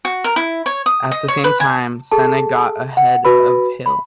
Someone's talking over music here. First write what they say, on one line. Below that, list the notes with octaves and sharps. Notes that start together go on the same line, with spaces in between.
At the same time, Senna got ahead of Hill.
F#4
A#4
E4
C#5
D#6
D#5
C#5
B4
G#5
G#4 A4 A5
F#5
F#4 B4 B5
B5